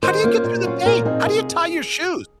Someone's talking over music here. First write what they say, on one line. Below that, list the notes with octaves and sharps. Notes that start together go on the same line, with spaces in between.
“How do you get through the day? How do you tie your shoes?”
D#3 C5
A#3 C#4 F4
A#2
F#3 C#4 F4
A#2 A#4
F3 C4 D#4 G#4
C3 G#4